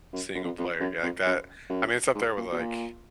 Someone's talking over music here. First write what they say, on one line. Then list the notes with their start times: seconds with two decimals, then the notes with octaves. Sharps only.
single-player g I got I mean, it's up there with, like
0.13 F#2
0.35 F#2
0.44 F2
0.59 F2
0.80 F#2
1.03 F2
1.26 F#2
1.70 F#2
2.15 G#2
2.37 A#2
2.52 B2
2.59 A#2